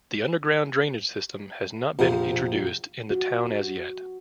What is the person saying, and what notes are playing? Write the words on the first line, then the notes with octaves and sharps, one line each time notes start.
The underground drainage system has not been introduced in the town as yet.
A#1 F2 C3
F#4